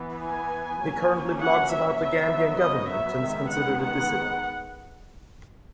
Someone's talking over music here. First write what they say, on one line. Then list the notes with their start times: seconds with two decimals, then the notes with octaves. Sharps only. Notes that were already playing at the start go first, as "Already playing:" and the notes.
He currently blogs about the Gambian government and is considered a "dissident".
Already playing: E3 B3
0.23 G#5
0.83 F#3 A#3 C#4
1.43 F#5
1.73 E5
2.03 F#3 B3 E5
2.62 D#5
2.93 E5
3.22 D#3 G#3 B3
3.52 F#5
3.82 F#5